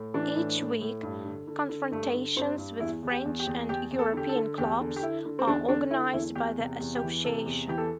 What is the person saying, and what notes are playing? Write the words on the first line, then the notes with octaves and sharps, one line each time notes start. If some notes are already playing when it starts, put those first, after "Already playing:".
Each week confrontations with French and European clubs are organized by the Association.
Already playing: A2
E3 D4
A2
A2
A2
G2
D3
D3
D3
G2 A3
D3
G2 C4
G2
E2 E4
E2
G4
E2
G4
E2
E2 G4
E2
A4
D3 G4
A4
D3
E2 G4
D3
G4
D3 E4
D3
C4
E2 D4
D3 D4
D3 E4
E2 E4
E2 G4
C3
E2
G4
E3
C3 A4
E2
E3 G4
A4